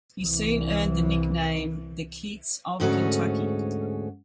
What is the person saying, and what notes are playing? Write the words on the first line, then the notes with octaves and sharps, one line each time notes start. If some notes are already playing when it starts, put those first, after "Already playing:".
He soon earned the nickname the "Keats of Kentucky".
C2 E3
D2 G#2 C#4 F#4 G#4 A4